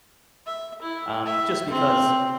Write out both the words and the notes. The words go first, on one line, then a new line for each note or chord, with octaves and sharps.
um, just because
E5
E4
E5
C4